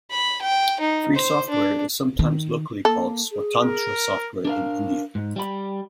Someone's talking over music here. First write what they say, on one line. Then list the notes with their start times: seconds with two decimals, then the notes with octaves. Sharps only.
Free software is sometimes locally called swatantra software in India.
0.11 B5
0.42 G5
0.80 D#4
1.16 C5
1.50 D4
2.19 D#3
2.85 A#3 A4
3.32 G#4
3.63 A#4
4.45 D4 A#4 F5
5.15 G#2
5.36 G3 B5